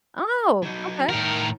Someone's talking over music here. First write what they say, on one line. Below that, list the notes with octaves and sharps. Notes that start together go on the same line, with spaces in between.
Oh, okay.
F#3 D#4
A2 D#3 A#4